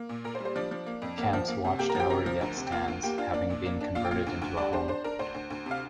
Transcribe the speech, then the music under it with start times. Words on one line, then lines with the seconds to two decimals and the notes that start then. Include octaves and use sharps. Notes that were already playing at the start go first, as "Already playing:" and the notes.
The camp's watchtower yet stands, having been converted into a home.
Already playing: A#3
0.09 A#2
0.24 A#2 A#4
0.35 C5
0.40 G3
0.45 C5
0.55 F3 D4 D5
0.71 F3
0.86 A#3
1.02 F2
1.18 A#3
1.33 F3
1.48 A#3
1.65 C3
1.79 A#3 G4 G5
1.89 A#4 A#5
1.95 F3 G4 G5
2.10 C3 A#4 A#5
2.26 F3
2.41 D2
2.57 C3
2.67 G5
2.72 A#3 F4 F5
2.88 D2
3.03 A#3 G4 G5
3.18 D4 F4 F5
3.33 A#3 D4 D5
3.50 A#2
3.66 A#3
3.81 D4
3.95 A#2 F4 F5
4.05 G5
4.11 A#2 F4 F5
4.27 D2
4.42 D2
4.57 G3 D4 D5
4.73 D4 C5
4.88 D4 C5
5.04 D4 A#4
5.19 D2 C5
5.34 D2
5.50 D2
5.66 C3
5.71 F5